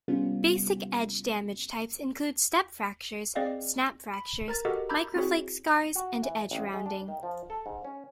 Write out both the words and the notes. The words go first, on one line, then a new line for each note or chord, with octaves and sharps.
Basic edge damage types include step fractures, snap fractures, micro-flake scars, and edge rounding.
C3 G3 B3 C#4 F4
C4 G#4 D5 D#5 F5 G5
B5
A#4 A#5 A6
F#4 G4 A4 A#4 D#5 F#5
A#5 B5 D6 E6 G6 G#6
C4 E4 F#4 G#4 C#5
F#4
E3
A1
G#3
D4
D#3
F3
A4
G#2
C#4